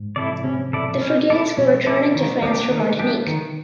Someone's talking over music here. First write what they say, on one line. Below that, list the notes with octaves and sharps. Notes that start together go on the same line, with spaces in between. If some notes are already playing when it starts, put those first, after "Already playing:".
The frigates were returning to France from Martinique.
Already playing: G#2
C3 E4 A4 D5
C3 C#4
B2 E4 A4 D5
C#4
E4 A4 D5
B2 C#4
E4 A4 D5
D#3
G3 B3 D4 G4
D#3
G3 B3 D4 G4
D#3